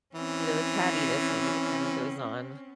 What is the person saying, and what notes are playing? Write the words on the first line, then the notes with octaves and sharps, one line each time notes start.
you know, the cattiness, maybe, that kind of goes on.
E3 C4 C#4